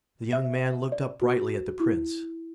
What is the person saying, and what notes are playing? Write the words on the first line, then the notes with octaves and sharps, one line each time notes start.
The young man looked up brightly at the Prince.
E5
D5
F#4
E4